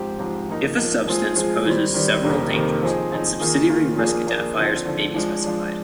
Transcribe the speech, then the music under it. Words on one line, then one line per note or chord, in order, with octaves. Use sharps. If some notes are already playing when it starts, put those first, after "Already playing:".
If a substance poses several dangers, then subsidiary risk identifiers may be specified.
Already playing: G#2 F3 C4 G4
G#2 F3 C4 G4
F3 A#3 D#4
F3 A#3 D#4
F3 G#3 C4 F4 G#4
F3 G#3 C4 F4 G#4
D#3 G3 C4
D#3 G3 C4
F2 C3 D#3 A#3
F2 C3 D#3 A#3
F3 C4 D#4 G#4
F3 C4 D#4 G#4
D#3 A#3 F4 G#4
D#3 A#3 F4 G#4
F3 A#3 D4 F4 G#4
F3 A#3 D4 F4 G#4
D3 F3 C4
D3 F3 C4
F3 G#3 D4
F3 G#3 D4